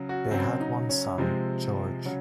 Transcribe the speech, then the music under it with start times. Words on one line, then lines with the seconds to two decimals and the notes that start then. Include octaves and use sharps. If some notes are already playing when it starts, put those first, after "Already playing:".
They had one son, Gheorghe.
Already playing: C#3 F#3
0.09 F#4
0.31 C#3 F#3 C4
0.60 D#4
0.89 C#4
1.18 C3 F3 G#3 C4
2.05 C#3 F#3 C#4